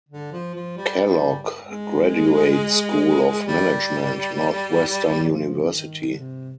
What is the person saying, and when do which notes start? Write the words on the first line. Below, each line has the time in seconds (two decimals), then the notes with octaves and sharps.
Kellogg Graduate School of Management, Northwestern University.
0.09 D3
0.32 F3
0.55 F3
0.77 G3
1.06 G3
1.67 G#3
3.47 G3
5.27 F3
5.72 D#3
6.12 D3
6.17 C3